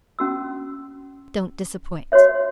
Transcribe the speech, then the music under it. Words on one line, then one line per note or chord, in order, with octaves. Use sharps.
Don't disappoint.
C#4 F#4 E6
F#4 C5 C#5 E5